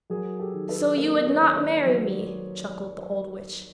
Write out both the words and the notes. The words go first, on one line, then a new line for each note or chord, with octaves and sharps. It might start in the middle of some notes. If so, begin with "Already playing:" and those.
'So you would not marry me!' chuckled the old witch.
F#3 G#4 A#4
G4 A4
D#3
A4 B4
A#3 A#4 C5
B4 C#5
D#3
C5 D5
F#3